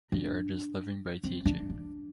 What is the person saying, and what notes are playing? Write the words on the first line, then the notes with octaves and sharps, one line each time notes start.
He earned his living by teaching.
D4
C4
D4
D4